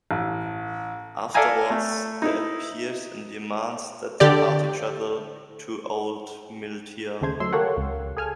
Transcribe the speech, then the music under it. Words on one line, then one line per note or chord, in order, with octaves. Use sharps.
Afterward, the appears and demands that the party travel to Old Miltia.
A1
A4 D5 E5 F5 G#5 A#5
A3
D#4 E4
D3 G4 D5
D#2 C#3 A3 C5 G#6
F#3 A3 C6 E6
G4 A4 A#4 C#5 F5 F#5
C#2
G#4 A4 G#5 F6